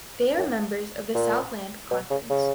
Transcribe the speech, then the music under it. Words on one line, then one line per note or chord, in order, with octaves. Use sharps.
They are members of the Southland Conference.
F#2
A#2
B2
C#3
C#3